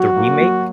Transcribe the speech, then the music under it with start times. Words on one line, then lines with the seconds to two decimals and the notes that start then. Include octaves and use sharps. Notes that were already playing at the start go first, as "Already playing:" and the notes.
the remake
Already playing: F#3 F#4
0.16 A#3
0.41 F#3